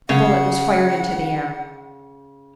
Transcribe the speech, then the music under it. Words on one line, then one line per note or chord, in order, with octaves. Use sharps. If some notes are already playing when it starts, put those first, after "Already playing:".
The bullet was fired into the air.
C#3 F#5